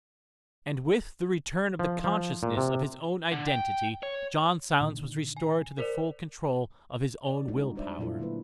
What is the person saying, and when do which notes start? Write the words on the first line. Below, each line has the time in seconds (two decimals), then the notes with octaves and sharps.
And with the return of the consciousness of his own identity John Silence was restored to the full control of his own will-power.
1.79 F3
2.04 F3
2.43 A#2
2.57 C3
3.32 D3
3.48 G5
4.03 C#5
4.81 A#2 D3 D#3
5.37 G#5
5.79 A#4 C5 D5
7.28 D5
7.48 G3 G#3 D4 D#4 F4 F#4
7.76 G3 D4 C5 D5 E5
7.99 A#2 F#3 E4 F4 A4
8.19 D3 F#3 A3 A#3 E4 B4